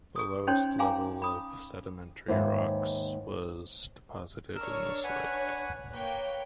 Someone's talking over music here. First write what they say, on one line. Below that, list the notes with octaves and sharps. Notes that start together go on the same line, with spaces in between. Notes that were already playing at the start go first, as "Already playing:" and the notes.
The lowest level of sedimentary rocks was deposited in this lake.
G#4 D#6
C#4 D#4 C5 C#5 G5 C6
F5 G5 G#5 A#5 C6 D6
B5 D#6
D#2 G#2 B3 E5
D4 A#4 C#5 E6
B4 F#5 G#5
A#3 B4 C#5 G5